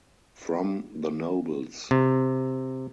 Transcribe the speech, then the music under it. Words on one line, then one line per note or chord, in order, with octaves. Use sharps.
From the nobles.
C3